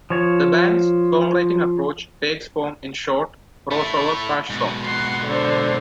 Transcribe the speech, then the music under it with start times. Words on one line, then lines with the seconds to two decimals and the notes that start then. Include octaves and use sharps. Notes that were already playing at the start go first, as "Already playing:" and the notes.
The band's songwriting approach takes form in short, crossover thrash songs.
0.10 F3 C#5
3.71 A3 E4
4.50 G#2 B2
4.84 F#5 C6
5.25 D3 C5